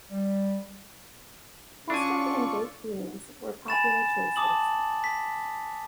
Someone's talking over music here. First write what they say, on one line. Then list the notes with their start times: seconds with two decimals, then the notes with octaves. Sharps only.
Custard and baked beans were popular choices.
0.10 G3
1.90 C#4 D4 F4 A4 D5 G#5 C#6
3.68 G#5 B5 A6 E7
4.36 A5 D6 D#6 F#7
5.04 B6